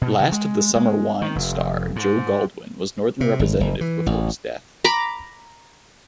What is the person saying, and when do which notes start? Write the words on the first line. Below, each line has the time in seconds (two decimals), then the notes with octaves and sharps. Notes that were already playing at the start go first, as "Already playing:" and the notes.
"Last of the Summer Wine" star Joe Gladwin was Northern representative before his death.
0.01 B2
0.19 C#3
0.32 G#3
0.76 G#3
1.22 D#3
1.36 F1
1.96 G#2
3.21 C3
3.39 G#1
3.60 F#1
3.81 E3
4.06 A1
4.84 A#5 B5 D6